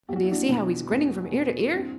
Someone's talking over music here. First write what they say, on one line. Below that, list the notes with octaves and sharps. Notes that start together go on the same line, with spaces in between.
And do you see how he's grinning from ear to ear?
E2 G4
F#4
E4
D4 F#4
B2
E2
B2
F#4
G2 C4 E4